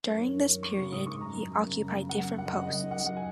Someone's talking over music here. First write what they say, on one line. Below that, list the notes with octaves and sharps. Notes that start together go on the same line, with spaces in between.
During this period he occupied different posts.
F#2 A#4
D#3 C#5
F#2
D#3
F#2 C#6
C#3
G#2 D#6
D#3 C#6
F#2 A#5
D#3
F#2
C#3
F#2
C#3
F#2 F#5
C#3
F#2 F#5
D#5
C#3 F#5
F#2 D#5
D#3
F#5
F#2 D#5
F#5
D#3
G#5